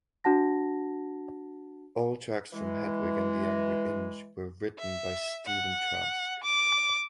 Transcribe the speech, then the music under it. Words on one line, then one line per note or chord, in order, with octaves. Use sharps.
All tracks from "Hedwig and the Angry Inch" were written by Stephen Trask.
D4 F#4 F#5 A5 A#6
E3 G#3
E5
F#5
D6